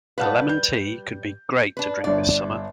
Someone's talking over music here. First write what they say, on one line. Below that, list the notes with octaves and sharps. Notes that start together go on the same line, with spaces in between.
A lemon tea could be great to drink this summer.
G3 B4 F5 F#5 A5
G6
D4 B4
G1 D4 D5